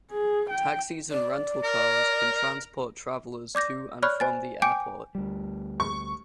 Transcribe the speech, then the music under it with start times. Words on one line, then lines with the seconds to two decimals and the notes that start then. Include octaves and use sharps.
Taxis and rental cars can transport travelers to and from the airport.
0.12 G#4
0.50 G5
1.11 D5
1.64 A#4
3.55 D5 D6 G6 A#6
4.03 C#5 D5 B5 C#6 F6 F#6
4.20 C5 G#5 A6
4.62 G5 G#5 D6 G6 D7
5.15 D2 G3
5.80 C#6